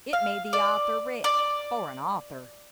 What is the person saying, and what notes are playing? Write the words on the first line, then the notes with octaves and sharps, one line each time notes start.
It made the author rich--for an author.
F5
D5
D5